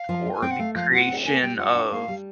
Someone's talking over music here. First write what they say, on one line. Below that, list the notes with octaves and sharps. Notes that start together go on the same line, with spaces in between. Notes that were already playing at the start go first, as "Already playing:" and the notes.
or the creation of,
Already playing: F5
F3
F4
G#5
C4 G5
F#5
A3 F5
F3 F5
F4 F#5
C4
A#3 G#5
G3 G5
F4 F#5
D4
A#3 F5
G3